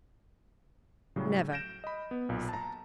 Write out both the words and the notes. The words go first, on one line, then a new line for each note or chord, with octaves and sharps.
"Never!" he said.
A2 C#3 F#3 G3
F6 G6 A#6 D7 E7
D#5 B5
B3
B1 A#2
A5 A#5